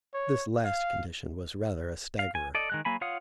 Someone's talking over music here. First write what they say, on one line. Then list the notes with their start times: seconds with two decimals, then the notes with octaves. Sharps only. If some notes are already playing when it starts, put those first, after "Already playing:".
This last condition was rather a staggerer.
0.14 C#5
0.64 F5
2.19 F5
2.35 G#5
2.55 A4 D5 D#5
2.70 D#3 G#3 F#6
2.85 F#3 A#3 G#5 B5
3.01 F4 C#5 F5 F#5 D#6